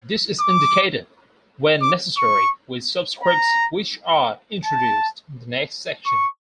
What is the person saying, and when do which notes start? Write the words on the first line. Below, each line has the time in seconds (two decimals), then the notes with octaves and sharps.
This is indicated, when necessary, with subscripts, which are introduced in the next section.
0.40 D6
1.82 D6
2.17 C#6
3.24 A#5
4.65 A5
6.06 C#6